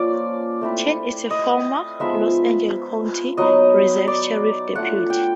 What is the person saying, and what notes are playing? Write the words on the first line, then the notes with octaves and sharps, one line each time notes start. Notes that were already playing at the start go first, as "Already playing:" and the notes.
Chen is a former Los Angeles County Reserve Sheriff's Deputy.
Already playing: F3 A#3 C#4 D5
A3 C4 E4
D#5
F3 G#3 B3 D#4 E5
F#3 B3 D#4 D#5
D5
A3 D4 F4 F#5
G5